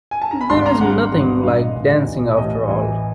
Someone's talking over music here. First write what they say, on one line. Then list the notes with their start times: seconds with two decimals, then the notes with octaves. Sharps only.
There is nothing like dancing after all.
0.11 G#5
0.22 A5
0.31 A#5
0.41 B5
0.50 G#1 G2 D3 G3 C6
0.66 A#5
0.81 G#1 G2 D3 G3 F#5
1.12 G#1 G2 D3 G3
1.43 G#1 G2 D3 G3 F5
1.59 D#5
1.74 A1 A2 E3
2.06 A1 A2 E3
2.37 A1 A2 E3 D#5
2.68 A1 A2 E3